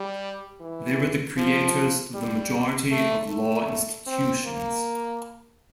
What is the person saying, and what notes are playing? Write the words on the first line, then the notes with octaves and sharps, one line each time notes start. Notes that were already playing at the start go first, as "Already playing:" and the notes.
They were the creators of the majority of law institutions.
Already playing: G3
E3
F3
G3
A3
A3
C4
A#3